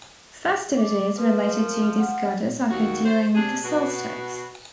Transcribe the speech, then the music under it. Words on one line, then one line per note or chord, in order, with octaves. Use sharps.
Festivities related to this goddess occurred during the solstice.
D5
F3 B4
A#4
F#5
D#2 F#4
C5
C3 D4 G#4
B2 F#4